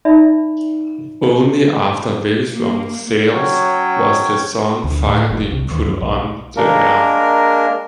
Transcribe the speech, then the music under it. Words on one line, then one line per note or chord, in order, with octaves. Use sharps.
Only after very strong sales was the song finally put on the air.
D#4 D5 E5 B5
A#3
F#3 C#4 C#5 G5
D2
A2
F1
C2
D#2
F#2
B1
G#3 A#3 D4 A#4